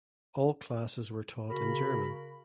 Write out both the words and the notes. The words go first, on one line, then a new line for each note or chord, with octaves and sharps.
All classes were taught in German.
C#3 F#4 A#4 B5